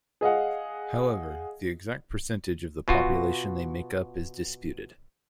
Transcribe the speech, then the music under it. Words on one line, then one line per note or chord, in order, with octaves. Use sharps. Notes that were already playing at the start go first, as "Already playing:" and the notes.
However, the exact percentage of the population they make up is disputed.
G#4 D#5 F5 F#5
B2 F4 F#4